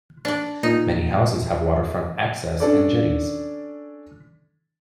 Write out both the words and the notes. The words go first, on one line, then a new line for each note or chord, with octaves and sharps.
Many houses have waterfront access and jetties.
D4 D5
A#2 D#4
C#4 D4 A4 D5